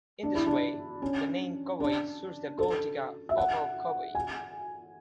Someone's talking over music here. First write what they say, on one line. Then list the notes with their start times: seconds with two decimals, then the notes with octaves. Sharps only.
In this way, the name Koboi suits the gold-digger Opal Koboi.
0.23 D4
0.35 E4
0.47 D4
1.02 C#4
1.80 D4
2.58 A4
3.29 E5
3.38 F#5
4.15 G#5